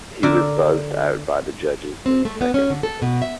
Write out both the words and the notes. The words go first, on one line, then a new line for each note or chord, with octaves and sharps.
He was buzzed out by the judges in seconds.
D3 A#4 D5 E5
C4
A3
B3
C#4
D3
A4
B2
E5